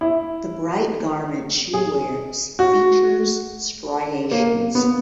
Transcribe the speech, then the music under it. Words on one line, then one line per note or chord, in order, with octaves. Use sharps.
The bright garment she wears features striations.
E4
G#4
F#4
A#3
B3